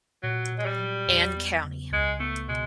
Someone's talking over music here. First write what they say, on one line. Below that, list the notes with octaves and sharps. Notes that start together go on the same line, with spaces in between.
Anne County.
A#2 F#3
A#2
G#3
G3
F#3
E2
B3
C#3
C#2 G#3
A3 B3
B2 G#3